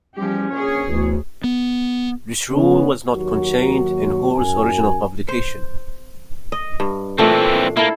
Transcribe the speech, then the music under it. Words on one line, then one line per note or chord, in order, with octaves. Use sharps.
This rule was not contained in Hoare's original publication.
E2 F3 G3 C#4 G4
A#1 G#4 C#5
D2 B2 E3
B3
C#3 B3 C#4
D#2 F#3 F#4
F#2 G#5
C5
D#5
G2
A#2 E3 A3 C4 D4
A#3 E4 A4